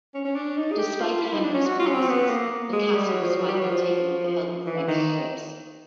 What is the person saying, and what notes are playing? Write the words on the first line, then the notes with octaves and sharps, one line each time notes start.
Despite Henry's promises, the castle was finally taken with the help of French ships.
C#4
C#4
D4
D#4
G#4
G4
F4
E4
D#4
D4
C#4
F#4
F4
C#4
C4
B3
A#3
G#3
G3
F#3
F3
F#3
G3
F#3
F3
E3
D#3